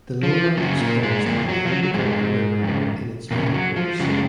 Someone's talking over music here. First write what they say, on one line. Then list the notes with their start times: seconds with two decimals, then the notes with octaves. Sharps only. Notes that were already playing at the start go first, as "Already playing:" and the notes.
The lowland is crossed by the Indigirka River in its middle course.
0.23 F3
0.57 F#2 C#3 F#3
0.80 A#2 A#3
1.03 G#2 G#3
1.26 F2 A#2 A#3
1.49 F#3
1.65 F3
1.71 F#3
1.84 F#3
1.94 F2 G#2 G#3
2.62 F2 C#3
3.31 F2 A#2 C#3 A#3
3.54 F#3
3.76 F3
4.00 F#2 C#3 F#3
4.09 G#3